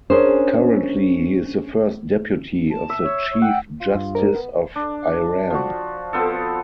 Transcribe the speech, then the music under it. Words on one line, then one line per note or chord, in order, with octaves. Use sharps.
Currently he is the first deputy of the Chief Justice of Iran.
C#4 D4 G#4 A#4 C5
A5
E5
C#5
C#5
F#5 G5
F4
G2
D2 A#4
B3
D4
F3 F#4
F3 B3 C4 A4